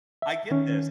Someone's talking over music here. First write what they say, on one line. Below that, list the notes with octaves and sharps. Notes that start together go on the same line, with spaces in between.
I get this.
E5
D#3 C#4